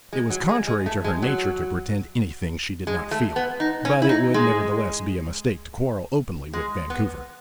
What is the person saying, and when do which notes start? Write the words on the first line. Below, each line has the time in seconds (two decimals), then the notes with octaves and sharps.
It was contrary to her nature to pretend anything she did not feel, but it would nevertheless be a mistake to quarrel openly with Vancouver.
0.13 G#3
0.30 F#3
0.49 G#3
0.67 G#3
0.86 A3
1.04 G#3
1.22 F#3
2.87 G#3
3.11 A3
3.36 B3
3.60 D#4
3.85 C#4
4.02 E4
4.09 D#4
4.34 G#3
6.53 G#3
6.90 B3